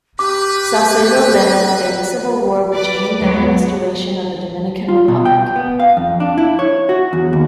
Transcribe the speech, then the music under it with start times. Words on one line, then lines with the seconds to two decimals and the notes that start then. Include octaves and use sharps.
Salcedo led a civil war which aimed at the restoration of the Dominican Republic.
0.19 G4 B4 D6
2.73 B4 D5 D6
3.18 D#2 G#2 F#3 G#3 B3
4.88 F4
5.08 B2
5.25 G5
5.56 B3
5.80 F5
5.97 F2
6.20 D4
6.38 E4
6.59 C#5
6.89 F#4
7.13 E2
7.33 D#2